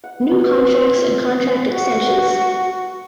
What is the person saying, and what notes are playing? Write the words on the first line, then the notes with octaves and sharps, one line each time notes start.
New contracts and contract extensions.
F#5
B3
F4
F#4